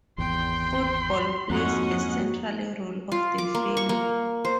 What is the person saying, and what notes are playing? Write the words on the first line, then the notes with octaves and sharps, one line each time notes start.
Football plays a central role of the film.
G#1 E2 G5 C6
F2 G#2 A#3 C#4 F#4 D#5 F#5
F4
D6
A#3
C#6
A#3
C5